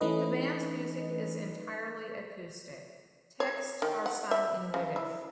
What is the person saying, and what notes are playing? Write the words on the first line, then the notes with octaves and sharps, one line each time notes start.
The band's music is entirely acoustic; texts are sung in Yiddish.
E3 A3 C#4 D#4 B4 D#5
C#5
D#3
F#5
E5
C#3
E4